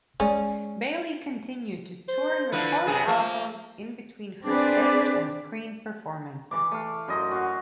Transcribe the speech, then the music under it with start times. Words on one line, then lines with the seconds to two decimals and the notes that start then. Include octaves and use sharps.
Bailey continued to tour and record albums in between her stage and screen performances.
0.20 G#3 C#4 G#4 D5
2.08 C5
2.52 D3 F3 E4 B4
2.87 F#2 C3 G#4
3.08 F3 A#3 E5
4.44 C4 D4 G#4 B4 D5 D6
6.51 E3 D6
6.72 A3 F5
7.08 F#2 D#5 C6
7.31 F#4 F5